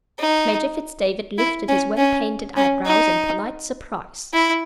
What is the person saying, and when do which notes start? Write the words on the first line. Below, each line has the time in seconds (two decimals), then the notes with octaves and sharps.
Major Fitz-David lifted his well-painted eyebrows in polite surprise.
0.19 D#4
1.38 E4
1.68 C#4
1.97 C#4
2.56 C#4
2.85 D#4
4.33 E4